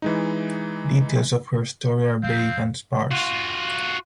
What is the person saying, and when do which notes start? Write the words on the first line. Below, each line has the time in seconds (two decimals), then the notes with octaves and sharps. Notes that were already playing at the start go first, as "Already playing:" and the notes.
Details of her story are vague and sparse.
0.02 E3 G#3 D#4
2.23 F2 B2 C4 F5 G6
3.11 F4 F#4